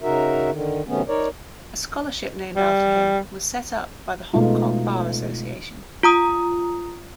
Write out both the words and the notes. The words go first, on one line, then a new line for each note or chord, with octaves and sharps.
A scholarship named after him was set up by the Hong Kong Bar Association.
C#3 D#4 F#4 A#4 E5
D3 D#3
C3 D#3 F#3 A3 B3 C#4
D#4 A#4 C#5 D5
G3
B2 G#3 A3 B3 D#4 F4
F4 A#5 D#6